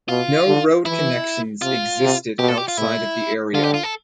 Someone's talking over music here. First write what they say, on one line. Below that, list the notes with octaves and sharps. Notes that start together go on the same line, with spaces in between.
No road connections existed outside of the area.
B2 F4
D3
E3 E4
C3 F4
C3
B2 G4
A4
G4
F4
A2 E4
D3 F4
G4
F4
A4